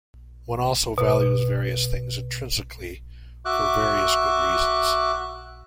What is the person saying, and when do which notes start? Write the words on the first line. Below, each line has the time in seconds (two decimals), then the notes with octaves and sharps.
One also values various things intrinsically for various good reasons.
0.98 B2
3.45 F#4 E5 D6 F#6